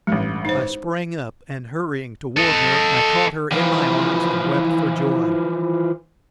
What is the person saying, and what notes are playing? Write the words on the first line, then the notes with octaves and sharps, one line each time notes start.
I sprang up, and, hurrying toward her, I caught her in my arms and wept for joy.
A1 G2 G#3
D#4 C5
A4 D#5
E3 F3